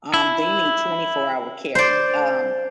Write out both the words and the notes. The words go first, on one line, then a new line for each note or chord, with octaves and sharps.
um, they need twenty-four-hour care. Um,
E4
C5 D5